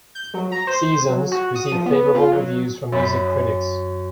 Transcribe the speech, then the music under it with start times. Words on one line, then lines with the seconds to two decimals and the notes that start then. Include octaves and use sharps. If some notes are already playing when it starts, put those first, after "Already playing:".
"Seasons" received favourable reviews from music critics.
0.15 G6
0.34 F#3
0.52 A#5
0.67 C5
1.09 F#3
1.31 F#4
1.56 D#6
1.72 F3
1.86 B3
2.15 F4
2.32 F#3
2.92 F#2 B5 B6